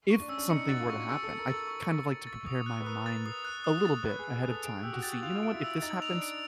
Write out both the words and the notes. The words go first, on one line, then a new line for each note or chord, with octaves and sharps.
if something were to happen, I'd kind of like to prepare my mind a little bit ahead of time to see, "You know what? If this happens,
C#6
D4
C#4 E6
D4
D#4 C#7
F#4 A6
F4
C#6
G#4 E6
A4
C#7
A#4
A6
A4
C#6
E6
C#7
A6
D#6
F#6
B4
A#4 D#6
A6
D#6
F#6
D#6
A6
B4 D#6
G#4
F#6
G#4
D#6
A4
G#4 D7
G4 E6
F#4
G4 A6
F4 F7
D7
E4
E6
D#4 A6
F7
D4
D7